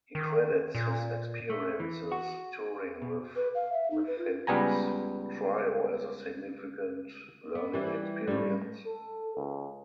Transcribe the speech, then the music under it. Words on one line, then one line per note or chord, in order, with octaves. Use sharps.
He credits his experiences touring with Metheny's trio as a significant learning experience.
D#3
A#2
A3
E3
F#4
B2
B4
F5
E5
D#4
B4
F4
C#2 G3 B3 G#5 A#5
B3
E3 G3
A2 G3
A4
C#2